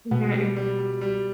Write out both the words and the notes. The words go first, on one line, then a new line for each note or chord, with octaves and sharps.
Mhm, mhm.
B2 B3
G3
G3
G3
G3